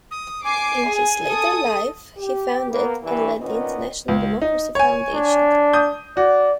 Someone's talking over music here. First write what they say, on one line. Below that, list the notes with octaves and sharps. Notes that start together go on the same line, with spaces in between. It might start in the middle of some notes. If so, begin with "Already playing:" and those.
In his later life, he founded and led the International Democracy Foundation.
D#6
G#5 D6 C7
G#4
A4 D#6
G4
A#3 B3
G2 E3
A#2 D#3 B3 C#4 D#5
C#2
D#4
C#5 G#5
D4
D#6 G6
F#4 D5